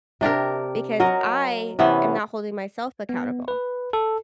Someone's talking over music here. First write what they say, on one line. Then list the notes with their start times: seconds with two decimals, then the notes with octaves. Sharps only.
because I am not holding myself accountable.
0.21 C3 D4 G4 A#4
1.00 F#3 F#4 A#4 D#5
1.79 C3 E3 B3 C#4
3.09 B3
3.48 B4
3.93 A4